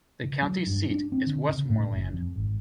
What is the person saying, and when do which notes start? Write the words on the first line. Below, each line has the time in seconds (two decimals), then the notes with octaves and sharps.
The county seat is Westmoreland.
0.24 C#3
0.42 F#3
0.67 G2
0.90 D4
1.12 C4
1.27 D3
1.49 C#3
1.69 A2
1.91 F#1
2.13 F2
2.36 G#1